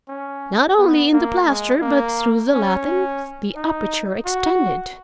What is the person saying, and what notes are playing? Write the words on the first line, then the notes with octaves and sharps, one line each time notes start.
Not only in the plaster, but through the lathing, the aperture extended.
C#4
B3
A#3
G#3
A#3
C#4
D#4
F#4